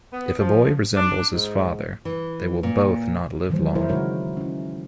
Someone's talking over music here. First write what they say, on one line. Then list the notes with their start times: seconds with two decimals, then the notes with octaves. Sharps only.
If a boy resembles his father, they will both not live long.
0.13 B3
0.39 F3
0.96 D4
1.33 G#2
2.05 E3
2.63 A#2
3.50 D#3 E3 F#3 G#3 A3 C5
3.75 E4 A#4 C5
3.89 C#3 G#3 D#4 F#4 A#4 C#5
4.37 C#4 E4